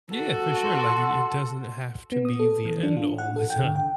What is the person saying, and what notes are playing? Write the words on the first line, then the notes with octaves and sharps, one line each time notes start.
Yeah. For sure. Like, it it doesn't have to be the end all the time.
F#4 A4
F#5 C6
B3
D#6
A4
E3
D4
F4
F#5
A4
G5
D3
G5